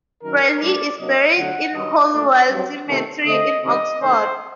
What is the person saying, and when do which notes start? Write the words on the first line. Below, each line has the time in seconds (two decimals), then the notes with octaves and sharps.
Bradley is buried in Holywell Cemetery in Oxford.
0.22 F#2 D#3 F#3 A#4
0.60 A2 G3 D4 D5
0.98 C3 F#3 A#3 D4 D#5
1.36 D3 F#3 A3 D4 F#5
1.74 G2 D#3 F#3 D#5
2.12 A#2 A3 D4
2.50 G2 F#3 C4
2.88 C3 D#3 A3 C4
3.26 D3 A3 C4 D#5
3.63 C3 D#3 G3 C4 D#5
4.01 C3 D#3 A3 D4 C5